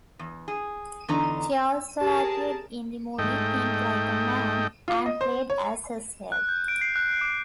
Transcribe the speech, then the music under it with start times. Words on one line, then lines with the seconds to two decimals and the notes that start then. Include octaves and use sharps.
She also appeared in the movie "Think Like A Man", and played as herself.
0.19 E2
0.48 G#4
1.08 E2 D3 D#4 A#5
2.01 G4 G#4 A#4 A5
3.19 G#2 A3 D#5 G5
4.88 F4
5.06 D#5
5.21 C5
5.50 C#5
6.32 F#6
6.49 G6
6.68 D7
6.81 C7
6.96 F#6
7.21 D6